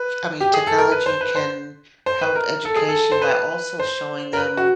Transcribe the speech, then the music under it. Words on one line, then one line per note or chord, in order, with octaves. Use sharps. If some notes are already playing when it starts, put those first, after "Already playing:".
I mean, technology can help education by also showing them,
Already playing: B4
G4
G#4
A4
A#4
B4
C5
B4
C5
C5
B4
A#4
A4
G#4
A4
C5
B4
C5
A#4
B4
F#4